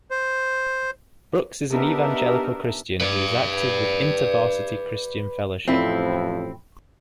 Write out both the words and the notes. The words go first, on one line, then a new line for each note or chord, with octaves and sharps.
Brooks is an evangelical Christian who is active with InterVarsity Christian Fellowship.
C5
B3 D4 D#4 G4 A#4 E5
B4 D5
A1 F2 A2 C4 E4